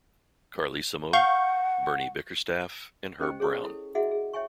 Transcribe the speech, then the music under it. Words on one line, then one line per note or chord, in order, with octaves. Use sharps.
Carlesimo, Bernie Bickerstaff and Herb Brown.
F5 F#5 C#6 G6
C#4 G4 C5 D#5 G5
G#4 C#5 C#6 D#6
E4 A4
E4 F#4 G#4 D#5 E5 F#5
G#4
C#5 E5 G5 G#5 C#6